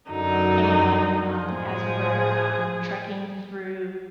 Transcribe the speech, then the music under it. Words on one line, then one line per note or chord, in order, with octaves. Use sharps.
and, um, as we were, um, trekking through the
F#2 D3 F#3 D#4
A2 F3 G#3 G#4